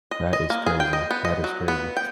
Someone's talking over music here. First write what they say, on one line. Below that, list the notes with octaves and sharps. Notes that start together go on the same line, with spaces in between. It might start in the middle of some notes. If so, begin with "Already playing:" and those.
That is crazy. That is crazy.
D#5
D#5
A#3
G#4
G5
D#5
B3
D#5
F#3
B3
G5